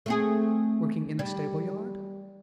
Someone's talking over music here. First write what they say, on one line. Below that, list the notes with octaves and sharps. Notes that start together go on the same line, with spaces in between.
"Working in a stable-yard?"
A3 C4 G#4
G3